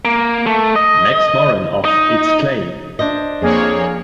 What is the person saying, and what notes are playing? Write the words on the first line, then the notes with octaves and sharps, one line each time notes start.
Max Morin of Exclaim!
A#3
A3
D#5
D#4
D4 C5 D#5
F2 A#3 G#4 C#5